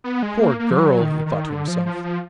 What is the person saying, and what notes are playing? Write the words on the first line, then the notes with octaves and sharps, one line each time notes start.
'Poor girl,' he thought to himself.
B3
G#3
A#3
A#3
F3
F#3
D#3
D#3
D3
F3
F3
F3